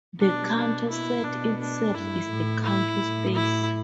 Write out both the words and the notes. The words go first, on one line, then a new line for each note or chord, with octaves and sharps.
The Cantor set itself is a Cantor space.
B2 D4
D4
E4
B2 D4
D4
G2 E4
A2
E4
A2
E4